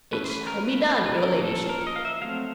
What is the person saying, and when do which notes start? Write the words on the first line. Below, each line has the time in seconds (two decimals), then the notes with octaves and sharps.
"It shall be done, your ladyship."
0.13 E3 A3 C#4 B4
0.25 C5
0.30 B4
0.47 A#4
0.65 B4
1.06 B4
1.17 F3 A#3 C#4 A#4
1.43 A4
1.69 A#4
1.87 D#5
1.96 F5
2.05 E5
2.22 F#3 A3 C4 F5